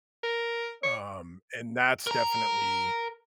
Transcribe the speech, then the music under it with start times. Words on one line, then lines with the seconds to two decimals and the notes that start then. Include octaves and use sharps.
Um, and that's definitely
0.23 A#4
0.84 C#5
2.07 A#4 A#5